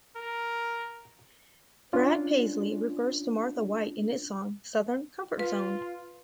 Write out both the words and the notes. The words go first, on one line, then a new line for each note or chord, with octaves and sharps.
Brad Paisley refers to Martha White in his song "Southern Comfort Zone".
A#4
C#4 D4 F4
F4 B4